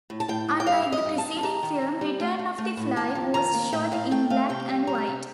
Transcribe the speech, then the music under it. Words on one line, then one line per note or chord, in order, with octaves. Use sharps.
Unlike the preceding film, "Return of the Fly" was shot in black and white.
A2
A5
A2 G5
A2
G5
G2 F5
G2
D#5
G2
A5
G2
G2 A#5
D#3
D#3
G3
A3
A3
A3
A2
D#3 A5
F2
D#3 A#5
A#3
A2 G5
A2 F5
A3 G5
A3 F5
C3 G5
G3
G3 A#5
C3